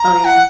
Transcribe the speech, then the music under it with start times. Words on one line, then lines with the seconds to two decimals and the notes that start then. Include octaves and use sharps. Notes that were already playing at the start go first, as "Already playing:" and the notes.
Oh yeah.
Already playing: A#5
0.25 F#5